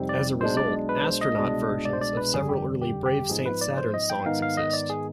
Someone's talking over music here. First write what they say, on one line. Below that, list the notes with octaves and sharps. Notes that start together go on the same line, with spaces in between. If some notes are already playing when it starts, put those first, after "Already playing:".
As a result, "Astronaut Versions" of several early Brave Saint Saturn songs exist.
Already playing: F2 C3 G3 C4 D#4
D5
B1 B2 G#3 D4 C5
D5
B4
C5
D#5
C2 B2 G#3 D4
D5
C5
D5
B4
G1 F2 D3 G3 G#4
G4
G4
G4
G#2 F3 B3 D#4 G#4
B4
D5
C5
D#5
G5
G#2 D#3 B3 D#4 F5
F5
D#5
D5
G#4